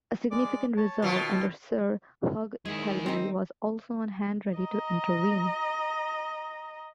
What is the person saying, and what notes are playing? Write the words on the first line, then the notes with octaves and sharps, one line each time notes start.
A significant reserve, under Sir Hugh Calveley, was also on hand ready to intervene.
G#3 D5 D6
C#5 A5
B2 D#3 F4
D#3 G#3 E4 G#4
C4 D#4
D#5 A#5